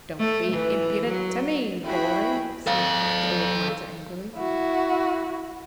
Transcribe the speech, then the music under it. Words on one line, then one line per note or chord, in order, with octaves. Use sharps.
"Don't be impudent to me, boy!" snapped the old miser angrily.
A3
E3
F#3
E4 F#4 G#4 G5 B5
A4 F5
E4 F#4